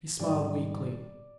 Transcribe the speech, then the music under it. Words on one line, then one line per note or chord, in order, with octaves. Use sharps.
He smiled weakly.
G#2 D#3 G3 D5